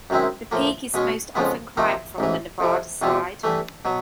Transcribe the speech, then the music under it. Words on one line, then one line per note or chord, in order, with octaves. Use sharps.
This peak is most often climbed from the Nevada side.
F#2 D#3 G#3 C4 E4
A2 F3 A#3
B2 G#3 C#4
F2 C#3 F3 G#3 B3
C3 F3 A#3 D#4
A1 G#2 E3
F2 C3 F3
E2 B2 G3 C4
G2 E3 A3
B2 F#3